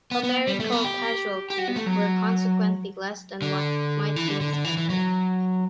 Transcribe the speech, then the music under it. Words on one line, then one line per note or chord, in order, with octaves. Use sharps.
Americal casualties were consequently less than what might be expected.
B3
B3
G3
A3
B3
G4
G4
F#4
B3
A3
F#3
D3
E3
D3
D3
D3
E3
E3
F#3